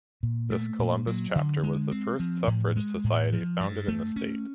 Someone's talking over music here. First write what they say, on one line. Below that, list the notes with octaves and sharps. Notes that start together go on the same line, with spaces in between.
This Columbus chapter was the first suffrage society founded in the state.
A#2
A3
A#2
F#3
D3
G#3
C4
F3
A2
G#3
A2
F3
G2
A3
C#4